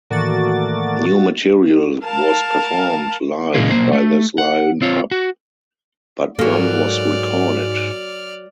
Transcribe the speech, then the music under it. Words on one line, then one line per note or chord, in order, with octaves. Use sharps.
New material was performed live by this line-up, but none was recorded.
A2 D#3 E3 A3 A#3 F#4 D5 A6
A#4 F5 A5
A#2 C#3 E3 G#3 A#3 F4
B1 A#2 A#3 C5
A3
F#5
C4 F4 C#5
F#4
G#2 F#3 A#3 A4 D5 F6